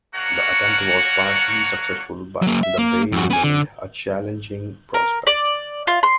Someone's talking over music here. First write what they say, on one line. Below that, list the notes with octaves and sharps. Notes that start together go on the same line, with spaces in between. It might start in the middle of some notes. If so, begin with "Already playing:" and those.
The attempt was partially successful but the bay remained a challenging prospect.
A#3 D4 F#4 A#4 C#5 F#5
F#3 A#3
E5
A#3
F2 F#4
B3 G#5
D3
A#4
D5
F4
C6